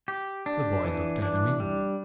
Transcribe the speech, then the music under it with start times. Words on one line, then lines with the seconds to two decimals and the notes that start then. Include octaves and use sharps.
The boy looked at him eagerly.
0.08 G4
0.46 D4
0.85 E3
1.22 D4
1.60 G3